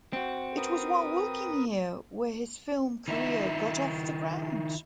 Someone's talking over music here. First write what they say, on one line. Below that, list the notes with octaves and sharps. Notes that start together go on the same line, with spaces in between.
It was while working here where his film career got off the ground.
C4 F#4
A#4 B4 D#6
D#3 D#4 E4